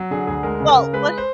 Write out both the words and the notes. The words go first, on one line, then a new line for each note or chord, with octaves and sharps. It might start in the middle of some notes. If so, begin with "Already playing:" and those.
Well, what
Already playing: F#3
D3 G#4
D2 G#4
G#3 A#4
C#3
A#4
C#3
G#3 B4
C5